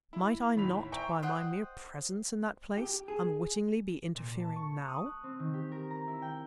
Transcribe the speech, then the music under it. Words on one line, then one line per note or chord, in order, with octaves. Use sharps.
Might I not, by my mere presence in that place, unwittingly be interfering now?
E4
D#2 A2 B5 B6 F7
C5 E5 G5 G#5 A#5 C#6
C5 D#5 F#5 G5
G4
G#4
A#2
A5
C#6
D#6
F#6
C4
D#3
G4
A#4
A#5
E4
G5